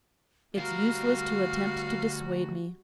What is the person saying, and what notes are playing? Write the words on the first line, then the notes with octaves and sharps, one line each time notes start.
'It's useless to attempt to dissuade me.'
D2 G3 F#4 A#4 F5 F6